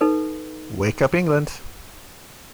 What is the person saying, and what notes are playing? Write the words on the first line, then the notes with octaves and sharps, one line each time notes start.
Wake up England!
D#4 A4 B4